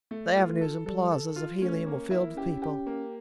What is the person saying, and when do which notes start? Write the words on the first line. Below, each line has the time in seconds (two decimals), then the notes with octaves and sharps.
The avenues and plazas of Helium were filled with people.
0.11 A3
0.36 F4
0.49 A3
0.61 A4
0.86 G3 A4
1.11 A4
1.36 F4
1.61 A3 C#4
1.86 A#3
2.11 E4
2.36 C#4 G4
2.62 G4
2.86 A#3